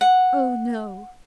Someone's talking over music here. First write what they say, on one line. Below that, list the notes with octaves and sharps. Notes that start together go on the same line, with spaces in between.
"Oh, no!"
F#5